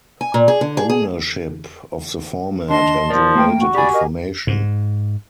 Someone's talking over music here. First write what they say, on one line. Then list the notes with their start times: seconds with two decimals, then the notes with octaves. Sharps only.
Ownership of the format and related information.
0.21 G#5
0.34 A#2
0.48 G#4
0.61 D3
0.77 G#4
0.90 G#4
2.68 D#2 D4 D#5 A5 C6
3.10 F3 A#4 D5
3.35 A3 A#3 G5
3.61 F#4
3.75 G4 D5 G#5 B5
3.92 A#4 D#5
4.47 G#2